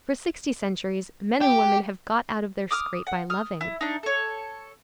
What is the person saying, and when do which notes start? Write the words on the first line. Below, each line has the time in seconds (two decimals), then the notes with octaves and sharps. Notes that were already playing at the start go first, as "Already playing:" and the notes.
For sixty centuries men and women have got out of their scrape by loving.
1.41 G4
2.71 D6 D#6 F6
3.07 F#5
3.30 D#6 F6
3.61 E4
3.81 D4 D#4
4.03 A4 C#5